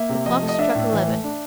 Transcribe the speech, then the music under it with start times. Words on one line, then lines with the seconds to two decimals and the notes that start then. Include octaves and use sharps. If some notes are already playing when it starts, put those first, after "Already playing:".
The clock struck eleven.
Already playing: A#3 E5
0.09 C3
0.26 F3 D#5
0.42 A3
0.49 D#5
0.59 D4 E5
0.75 A2
0.92 E3
1.08 A3
1.24 D4